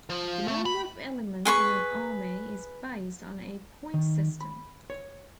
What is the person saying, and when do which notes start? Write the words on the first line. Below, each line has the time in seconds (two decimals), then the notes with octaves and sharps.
The number of elements in an army is based on a points system.
0.09 F3
0.48 A3
0.66 B5
1.45 G#4 B4 C6 C#6
3.94 D#3
4.41 B5
4.90 C#5